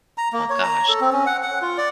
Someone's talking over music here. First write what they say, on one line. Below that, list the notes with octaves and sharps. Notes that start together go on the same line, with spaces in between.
Oh gosh.
A#5
A#3
C#5
A#5
A4
C4
C#4
F#5
F#5
F4
D5